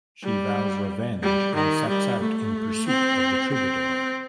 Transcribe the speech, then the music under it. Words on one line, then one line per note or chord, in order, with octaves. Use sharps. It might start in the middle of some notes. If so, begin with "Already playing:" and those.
She vows revenge and sets out in pursuit of the troubadour.
G3
G3
D#3
G3
A3
C4
C4